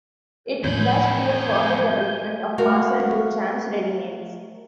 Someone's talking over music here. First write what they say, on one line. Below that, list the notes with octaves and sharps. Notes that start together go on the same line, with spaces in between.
It would thus be a further development of Marcel Duchamp's readymades.
F2 A2 E3 F3 G#5 B5 G6
A3 F#4 A#4 F5